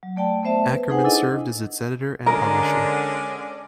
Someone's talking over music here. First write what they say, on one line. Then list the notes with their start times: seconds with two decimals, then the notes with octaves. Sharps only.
Ackerman served as its editor and publisher.
0.03 F#3
0.16 A3 D5 G5 A5
0.43 A3 B3 C5 E5 A5
0.64 B4
0.89 D#4 G#4 B4 C5 F#5 G#5
1.04 D4 E4 A4 D#5
2.26 D3 G#3 C#4 A#4 D5